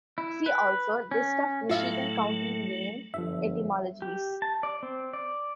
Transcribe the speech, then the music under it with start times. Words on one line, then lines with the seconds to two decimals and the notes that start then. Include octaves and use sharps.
"See also", List of Michigan county name etymologies.
0.18 E4
0.46 B4
1.11 C#4
1.70 A2 F#3 A3 F4 E5 F5
3.14 G1 F#2 F3 E5
4.02 G4
4.42 A5
4.63 D5
4.83 C4
5.13 D5